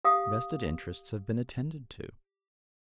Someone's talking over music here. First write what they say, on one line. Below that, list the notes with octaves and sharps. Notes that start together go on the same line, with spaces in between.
Vested interests have been attended to.
G4 F5 D#6